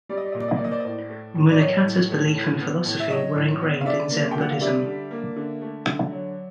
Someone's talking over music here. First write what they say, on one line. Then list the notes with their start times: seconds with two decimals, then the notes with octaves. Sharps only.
Munakata's belief and philosophy were engrained in Zen Buddhism.
0.09 G3 D5
0.17 D#5
0.25 D5
0.32 A#2 D#5
0.41 D5
0.48 D#5
0.56 D5
0.59 A#3
0.64 D#5
0.71 C5 D5
0.80 D#5
0.85 A2 C5 D5
1.09 A3
1.35 A2
1.50 D5
1.60 F#3 C#5 D#5
1.85 A2
2.10 A3
2.35 A2
2.60 B3
2.86 A2
3.00 E5
3.10 F#3 C#5 D#5
3.35 A2
3.61 B3
3.81 F5
3.85 D3 D5 E5
4.10 A#3
4.31 G5
4.36 D3 F#5
4.50 F5
4.60 G3 D5 E5
4.86 D3
5.11 A#3
5.36 D3
5.61 A3
5.86 D3
6.11 F#3